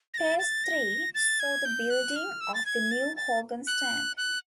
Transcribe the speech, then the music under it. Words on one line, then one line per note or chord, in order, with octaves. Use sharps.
Phase Three saw the building of the new Hogan Stand.
A#6
A6
A6
A#6
A6
G#6
G6
F#6
F6
E6
A6
G#6
A6
A6
F#6
F#6